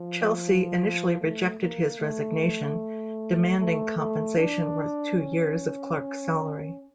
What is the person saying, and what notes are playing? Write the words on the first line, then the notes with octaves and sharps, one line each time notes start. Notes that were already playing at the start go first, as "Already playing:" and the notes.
Chelsea initially rejected his resignation, demanding compensation worth two years of Clarke's salary.
Already playing: F3
A3
A#3
A3
A3
A3
D4
C#4